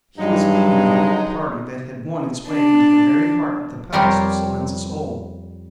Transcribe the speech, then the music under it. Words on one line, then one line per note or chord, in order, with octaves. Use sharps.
He was leading the little party that had won its way into the very heart of the palace of Salensus Oll.
G2 F#3 G#3 D#4
D4
F2 G3 G4 A#4 C5 C#5